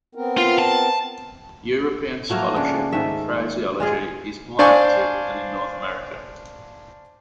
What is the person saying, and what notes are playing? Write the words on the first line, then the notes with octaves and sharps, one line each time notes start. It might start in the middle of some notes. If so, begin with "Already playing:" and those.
European scholarship in phraseology is more active than in North America.
B3 C4 A#4
F4
A5
F3 F#3 A3 A#3
C#3 D4
G#2 D#3 A3 E5
G#3 F4 G#4
D4 C5 D5 F5 G#5 C#6